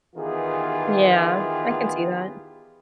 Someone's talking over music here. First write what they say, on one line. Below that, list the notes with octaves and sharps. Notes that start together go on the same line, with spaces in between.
Yeah. I can see that.
D#3 E3 B3 F4 G4 G#4